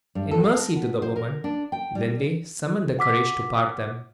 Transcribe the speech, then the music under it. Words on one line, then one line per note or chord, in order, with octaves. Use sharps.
In mercy to the woman, Linley summoned the courage to part them.
G2
A4
F5
A#4
B3
C5
A#4
D4
G5
G3
F#5 D6 B6